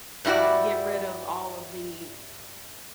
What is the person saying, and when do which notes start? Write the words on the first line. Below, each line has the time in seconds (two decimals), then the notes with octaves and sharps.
uh, get rid of all of the
0.25 G2 G3 E4 F#4 D5